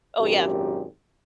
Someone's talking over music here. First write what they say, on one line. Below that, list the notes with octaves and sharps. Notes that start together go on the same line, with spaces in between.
Oh, yeah.
G#1 F#2 A#2 G4